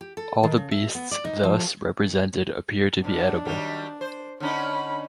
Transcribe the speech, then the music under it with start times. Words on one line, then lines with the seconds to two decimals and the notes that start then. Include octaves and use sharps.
All the beasts thus represented appear to be edible.
0.01 G4
0.17 A4
0.43 D#3
0.57 C#3
0.71 E5
0.95 B3
1.11 D5
1.25 D#4
1.43 F3
3.04 F#2 B2 D4
3.45 D#3 F#3 G3
4.01 C5
4.40 D3 C#4 D#4 C#5 B5